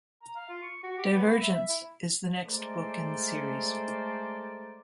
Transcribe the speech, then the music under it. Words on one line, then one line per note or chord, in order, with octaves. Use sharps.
"Divergence" is the next book in the series.
A#5
F5
F4
C#6
F#4
G4
B3
B5
E5
E5
E4
G#3 A3 A4 A#4 C5 D5